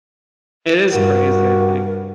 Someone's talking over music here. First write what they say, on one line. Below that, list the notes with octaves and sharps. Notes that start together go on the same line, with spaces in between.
It is crazy, I think,
G2 F#4 A#4